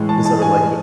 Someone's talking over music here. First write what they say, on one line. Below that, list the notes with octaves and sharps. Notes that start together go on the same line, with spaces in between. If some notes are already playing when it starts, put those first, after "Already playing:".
to sort of, like, you
Already playing: A2 E3 G#3
A5
A5
G#5